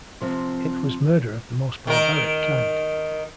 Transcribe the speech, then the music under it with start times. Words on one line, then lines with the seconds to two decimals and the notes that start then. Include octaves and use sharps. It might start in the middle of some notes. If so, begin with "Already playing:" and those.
It was murder of the most barbaric kind.
0.21 C3 F3 C4
1.87 D#3 A#4